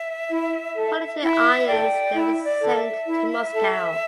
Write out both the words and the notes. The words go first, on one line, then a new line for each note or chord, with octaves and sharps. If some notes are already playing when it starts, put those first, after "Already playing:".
Put into irons, they were sent to Moscow.
Already playing: E5
E4
A4
E4 E5
A4 D5 G5
E4 E5
D5
A4
E5
E4
A4